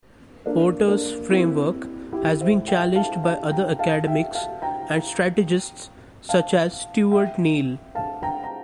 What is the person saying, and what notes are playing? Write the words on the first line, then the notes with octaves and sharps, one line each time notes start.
Porter's framework has been challenged by other academics and strategists such as Stewart Neill.
A#3 D4
A#3 D4
C4 E4
E4 G4
C5 E5
E5 G5
F5 A5
F5 A5
G5 A#5
F5 A5
E5 G5
F5 A5
G5 A#5
F5 A5
E5 G5
F5 A5
G5 A#5
A#5